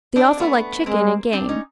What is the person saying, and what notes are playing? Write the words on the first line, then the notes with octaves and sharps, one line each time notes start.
They also like chicken and game.
C4 D4
A3 B3
G#3 A#3 C4
C4 D4
C#4 D#4